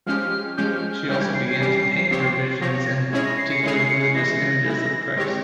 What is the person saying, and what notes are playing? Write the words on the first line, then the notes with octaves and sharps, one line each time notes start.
She also began to paint her visions and particular religious images of Christ.
F3 G#3 C#4 G4 F6
F3 G#3 C#4 G4 G6
F6
F6
E3 G3 C#4 G4 G6
G#6
C7
C7
E3 G3 C#4 G4
F3 C4 G4 C#5
F3 C4 G4 C#5 A#6
A#6
G#6
G#3 C#4 E4 G#4 C#5 G#6
A#6
C7
C#7
G#3 C#4 E4 G#4 C#5 C7
C7
C#7
C7
E3 G#3 E4 A#6
E3 G#3 E4
G#3 C4 G4 C#5